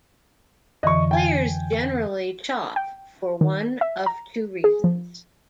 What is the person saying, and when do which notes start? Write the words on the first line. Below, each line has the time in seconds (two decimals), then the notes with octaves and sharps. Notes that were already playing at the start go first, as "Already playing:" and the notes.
Players generally chop for one of two reasons.
0.83 F2 D3 E3 D#5 C#6
1.11 G5 G#5
2.76 G5
3.41 D#3
3.81 E5
4.06 A#5
4.64 G#4
4.84 F3